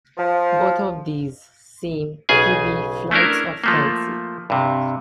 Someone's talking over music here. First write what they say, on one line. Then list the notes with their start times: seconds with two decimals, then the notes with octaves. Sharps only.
Both of these seem to be flights of fancy.
0.17 F3
2.29 B1 C#3 G#4 G#5
3.11 A3 C#4 D4 E4 A#4
3.64 F3 A3 A#3
4.50 G2 C3